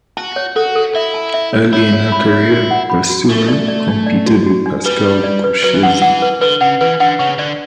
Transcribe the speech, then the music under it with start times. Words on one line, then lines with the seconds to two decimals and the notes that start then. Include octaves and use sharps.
Early in her career, Brasseur competed with Pascal Courchesne.
0.17 F#4 A5
0.36 C#5
0.56 F#4 A4
0.75 A4
0.95 E4 E5
1.14 A5
1.34 E5
1.53 C#5
1.73 E4 C#5
1.93 C#5
2.12 B5
2.31 C#5
2.50 F#4
2.71 F#5
2.90 B5
3.10 F#4
3.29 A3 D4
3.48 D5
3.68 D5
3.88 D4
4.07 D5
4.27 F#4
4.47 F#4
4.66 D4
4.85 G3 B4
5.04 B4
5.24 D5
5.44 B4
5.63 F#3 B4
5.74 E3
5.83 D3 F#5
5.97 E3 F#5
6.22 B4
6.41 D3 B4
6.60 C#3 F#5
6.80 E3 B4
7.00 D3 F#5
7.19 C#3 C#6
7.38 D3 D5